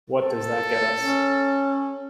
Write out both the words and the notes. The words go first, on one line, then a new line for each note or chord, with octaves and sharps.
What does that get us?
A4
C#4